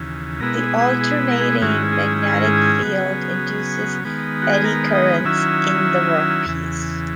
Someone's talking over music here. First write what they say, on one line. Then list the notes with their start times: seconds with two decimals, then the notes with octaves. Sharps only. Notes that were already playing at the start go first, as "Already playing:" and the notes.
The alternating magnetic field induces eddy currents in the workpiece.
Already playing: D#2 C#3 E3
0.40 B2 G#3 B3 E4 A#4
0.60 G#4
0.81 G#4
1.01 G#4
1.31 A#4
1.41 G#4
1.61 G#2 D#3 G#3 C#4 E4 F#4
1.92 G#4
2.23 G#4
2.34 A#4
2.44 G#4
2.82 C#3 F#3 B3
4.05 D#3 G#3 B3
4.42 F#4
4.53 G#4
4.65 A#4
4.95 D#5
5.25 D#3 F#3 C#4 E4 E5
6.46 E2 C#3 E3